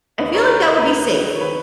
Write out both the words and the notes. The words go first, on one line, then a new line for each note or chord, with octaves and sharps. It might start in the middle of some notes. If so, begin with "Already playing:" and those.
I feel like that would be safe.
D#2 D#3 A#3 B4 D#5
A#4 C#5
B4
A#4
D#2 D#3 A#3 B4
C#5
D#3 B4